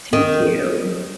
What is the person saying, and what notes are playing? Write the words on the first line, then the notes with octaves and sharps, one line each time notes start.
Thank you.
D#3